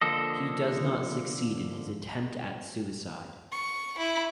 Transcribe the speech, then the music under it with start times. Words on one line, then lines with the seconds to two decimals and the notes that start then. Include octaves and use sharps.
He does not succeed in his attempt at suicide.
0.01 D3 F3 A#3 A4 D#5
3.52 C#6
3.98 E4